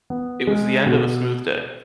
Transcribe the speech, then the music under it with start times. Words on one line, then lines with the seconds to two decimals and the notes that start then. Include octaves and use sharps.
It was the end of a smooth day.
0.10 B3
0.47 G#3
0.86 B2